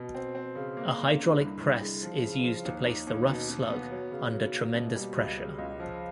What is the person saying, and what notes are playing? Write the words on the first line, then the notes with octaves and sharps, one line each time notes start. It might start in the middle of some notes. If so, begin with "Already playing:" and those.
A hydraulic press is used to place the rough slug under tremendous pressure.
Already playing: B2
C4
C4
C#3
A#3
A#3
D3
C2
C2
G#3
F3
C#3
F3
D#2
D#2
D#2
B2
B2
B3
F#3
C#3
F#3
A#3
B2
G3
C#2
C#3
C#2
F3